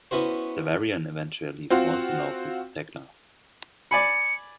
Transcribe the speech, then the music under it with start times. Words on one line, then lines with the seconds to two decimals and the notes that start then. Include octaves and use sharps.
Severian eventually falls in love with Thecla.
0.11 B3 C#4 E4 F#4 C5
1.70 C4 F4 F#4
3.91 D5 G#5 B5 C#7